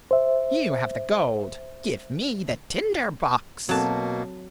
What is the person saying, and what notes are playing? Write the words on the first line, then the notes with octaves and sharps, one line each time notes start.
"You have the gold, give me the tinder-box!"
C5 E5
B2 F#3 A#3 C4 F#4 A4 A5